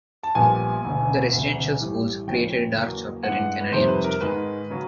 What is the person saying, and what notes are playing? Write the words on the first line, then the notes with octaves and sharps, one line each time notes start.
The residential schools created a dark chapter in Canadian history.
A5
A#1 A#2 G3 B3 G#5
E1 D2 C#3
E1 D2 C3
A1 A2 E3 G3
D#2 C#3 F3 G#3 C#4 G5
E2 C#3 F#3 A#3
G2 E3 G#3 B3 F#5
B4
F2 C3 D#3 G3 C5
B4
A#4
G#2 D#3 G#3 B4
C#3 F#3